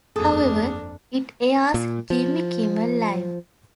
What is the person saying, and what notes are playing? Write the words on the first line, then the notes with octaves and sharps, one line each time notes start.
However, it airs Jimmy Kimmel Live!
G1 F2 A#3 D4 G#4 A4 D#6
A#2
F3